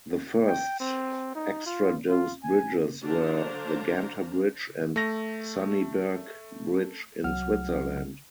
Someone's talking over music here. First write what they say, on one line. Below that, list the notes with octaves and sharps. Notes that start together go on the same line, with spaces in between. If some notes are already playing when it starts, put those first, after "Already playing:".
The first extradosed bridges were the Ganter Bridge and Sunniberg Bridge in Switzerland.
G5
C4
D#4
F4
F4
G#5
D3 F#3 D4 C5 F5 A#5
A3 A#6
C2 F#3 F#5 F6